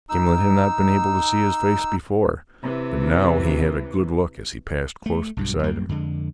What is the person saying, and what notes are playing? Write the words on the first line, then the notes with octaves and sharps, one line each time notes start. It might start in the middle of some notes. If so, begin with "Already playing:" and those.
Gimblet had not been able to see his face before, but now he had a good look as he passed close beside him.
D#4 E6
C3 E3
A3
B1 G2 B2
F#2 G3 A#3
F2 D3 G#3